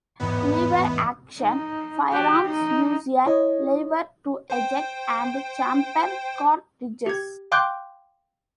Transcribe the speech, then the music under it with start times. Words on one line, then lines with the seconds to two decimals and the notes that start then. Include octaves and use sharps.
Lever-action firearms use a lever to eject and chamber cartridges.
0.20 A1 E2 G#2 B3
1.37 D#4
2.12 F#4 G4
2.44 D#4
3.26 E4 C#5 D#5
4.50 C5 G5
7.06 G4 G#6
7.52 F5 G5 C6 D6 F#6 G6